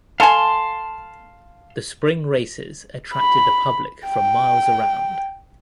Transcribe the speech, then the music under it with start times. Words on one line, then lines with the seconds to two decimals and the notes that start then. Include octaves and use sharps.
The spring races attracted the public from miles around.
0.20 A4 F5 G#5 A5 C6
3.15 B5
4.06 G5